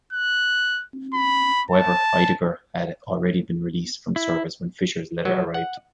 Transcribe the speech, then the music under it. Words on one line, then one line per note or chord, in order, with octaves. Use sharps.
However Heidegger had already been released from service when Fischer's letter arrived.
F#6
B5
A5
E4
F#3
F#5